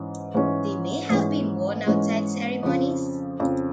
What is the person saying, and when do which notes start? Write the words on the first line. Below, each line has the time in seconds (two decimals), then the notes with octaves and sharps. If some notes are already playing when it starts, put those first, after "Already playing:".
They may have been worn outside ceremonies.
Already playing: G#2 E3 G#3 C#4
0.34 G#2 E3 G#3 C#4
1.10 G#2 E3 G#3 C#4
1.86 G#2 E3 G#3 C#4
2.63 F2 C#3 F3
3.40 F2 C#3 F3